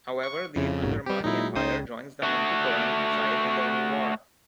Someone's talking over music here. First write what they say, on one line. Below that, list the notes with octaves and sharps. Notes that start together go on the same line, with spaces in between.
However, the Andermani Empire joins the Manticoran side in the new war.
C#6
F2 C#3 E4 F5
A#1 G#2 F#4
G3 C4 G4 B4
A#2 F#3 G#3 D#4 E4
C#2 C#3 D#4 C5 G5 D#6
A3 F#4